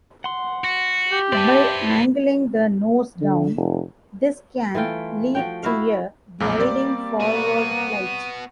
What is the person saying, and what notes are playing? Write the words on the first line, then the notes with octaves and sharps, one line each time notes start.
By angling the nose down, this can lead to a gliding forward flight.
F#5 C6
F#4
G4
B4 C5 D5 E5 A5
D3
F1
E3 A3 F4 G5
F3 F#4 G5
E4 F#4 F5
B1 F2 A#2 A#3 D6
G3 C4 D5
B3 F#4 D#7